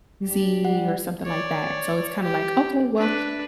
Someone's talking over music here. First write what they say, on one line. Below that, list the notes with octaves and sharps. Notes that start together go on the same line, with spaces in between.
X Z or something like that, so it's kinda like, "Okay, well,
D4 G4
G3 F#5
C#5 D5
G4
D4 B4